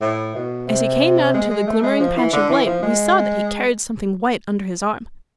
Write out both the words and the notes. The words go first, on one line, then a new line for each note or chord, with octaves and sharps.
As he came out into the glimmering patch of light, we saw that he carried something white under his arm.
A2
B2
C3
G#3
G#3
A3
G#3
F3
E3
D3
E3
F3
G#3